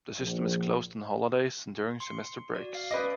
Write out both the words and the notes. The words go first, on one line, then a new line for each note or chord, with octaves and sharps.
The system is closed on holidays and during semester breaks.
A#1
C6 C#7
C6
F#4 D5
F5
C#4 B4 D5 D#5 D6